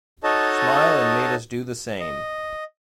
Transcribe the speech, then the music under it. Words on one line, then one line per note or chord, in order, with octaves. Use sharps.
Smile and made us do the same.
D#4 F#4 A4 C#5 D#5 A5
D#5